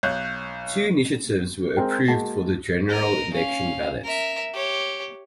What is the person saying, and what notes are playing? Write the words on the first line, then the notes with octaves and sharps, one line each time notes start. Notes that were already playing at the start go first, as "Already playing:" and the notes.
Two initiatives were approved for the General Election ballot.
B1 C#5 F#6 G6
G#3 C4 G#4 A#4 G5
G#3 A#3 F#4 A5
A#4 D#5
C#4 F5
A#4 E5
G4 C#5